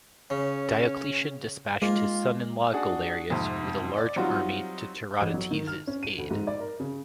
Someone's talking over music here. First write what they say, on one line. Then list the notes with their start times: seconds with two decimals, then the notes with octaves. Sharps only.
Diocletian dispatched his son-in-law Galerius with a large army to Tiridates's aid.
0.30 C#3 C#4
1.82 G#3 A#3 F4
2.73 D4 F#4 G#4
3.30 F2 G#2 C3
3.97 D5
4.16 F#3 G3 C4 D#4 F4 F#4
5.21 A1
5.34 F#3
5.51 D#3
5.67 F6
5.87 C#4
6.03 D#7
6.18 D2
6.31 G#2
6.47 D5
6.60 A#4
6.80 C#3